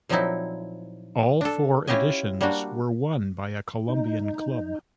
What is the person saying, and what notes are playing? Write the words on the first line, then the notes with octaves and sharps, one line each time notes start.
All four editions were won by a Colombian club.
A#2 F3 F#3 C4 D#4 E4
D4 A4
C#4 E4 F4 G4 D#5 G#5
G3 A#3 D4 F#4
D#4